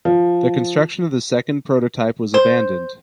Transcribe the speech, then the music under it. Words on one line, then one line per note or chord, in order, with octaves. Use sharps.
The construction of the second prototype was abandoned.
F3
C5